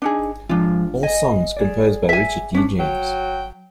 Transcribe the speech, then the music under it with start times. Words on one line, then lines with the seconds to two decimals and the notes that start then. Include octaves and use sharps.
All songs composed by Richard D. James.
0.02 D4 D#4 G#4
0.49 G#2 F3 G#3 D4 F4
1.03 D#5 G#5
1.57 G#4 D5
2.09 E5 G#5
2.55 C#4 D4
2.79 F#3 G5